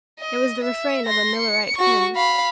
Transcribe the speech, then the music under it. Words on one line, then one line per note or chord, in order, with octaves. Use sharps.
It was the refrain of a Millerite hymn.
D#5
E5
C6 A#6
C#7
F#4 C#6
F5 B5